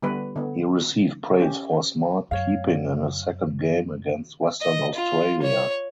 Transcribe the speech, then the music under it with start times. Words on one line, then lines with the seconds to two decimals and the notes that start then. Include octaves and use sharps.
He received praise for "smart" keeping in his second game against Western Australia.
0.02 D3 G3 B3 B4
0.36 D3 B3
1.40 C#4 G4
2.31 F#2 C#5 F5
4.62 D#5
4.95 F4
5.42 C#5